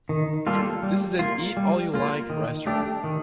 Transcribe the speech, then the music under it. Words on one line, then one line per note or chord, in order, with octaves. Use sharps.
This is an Eat All You Like restaurant.
D#3
G3 A#3 F4 A4
G3
A#3 F4
G3
A#3 F4
D#3
A3 D4 G4
D#3